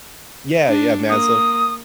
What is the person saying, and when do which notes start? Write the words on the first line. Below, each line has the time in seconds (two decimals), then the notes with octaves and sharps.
Yeah, yeah, Maslow.
0.68 D4
1.10 A#3 D#6